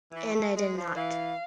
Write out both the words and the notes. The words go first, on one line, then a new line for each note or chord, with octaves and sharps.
And I did not.
E3
A3
G#3
F3
E3 F5